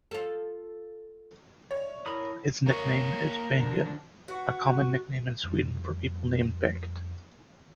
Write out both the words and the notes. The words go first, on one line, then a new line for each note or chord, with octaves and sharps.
His nickname is "Bengan", a common nickname in Sweden for people named Bengt.
F4 A4
C#5 D5 E5
E4 A#4 A5 B5 D#6 E6
A#3 A#4 C#5
D3 F3 D4
F#4 B4 F#5 C#6
F2 A2 G3